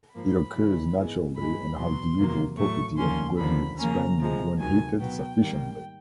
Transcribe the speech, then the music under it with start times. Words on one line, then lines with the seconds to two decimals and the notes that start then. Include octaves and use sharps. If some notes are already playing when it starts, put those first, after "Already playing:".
It occurs naturally and has the unusual property of greatly expanding when heated sufficiently.
0.15 G#2 F3 A#3 B5
0.55 C#3 E3 G#3
0.96 G#2 E3 G#3 B3
1.36 G2 E3 G#3 B5
1.77 E2 B2 F#3 C6
2.18 E2 C3 D#3 F#3 A#3
2.58 A2 F#3 A3 C#6
2.98 D#2 D3 F3 A#3 C#4 C6
3.38 D#2 D3 F3 A#3 B5
3.79 C#3 F3 A#3 C#4 A#5
4.19 C3 F3 G#3 A#5
4.60 D2 C3 D#3 F#3 G#5
5.00 B2 F#3 B3 G5
5.41 G#2 D#3 G3 A#3